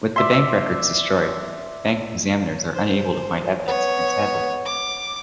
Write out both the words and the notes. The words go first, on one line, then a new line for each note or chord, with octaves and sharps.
With the bank records destroyed, bank examiners are unable to find evidence against Hadley.
D5 E5 C6
C5
B3 C#5
D6